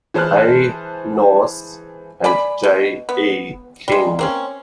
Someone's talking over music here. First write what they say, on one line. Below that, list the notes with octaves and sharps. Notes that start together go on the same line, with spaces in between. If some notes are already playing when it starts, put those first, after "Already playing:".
A. Knauss and J. E. King.
E3 G#4 C5 A5 F6 F#6
D5 G#5 B5
B2
B3
G3 G#3
A#3 C4 C#4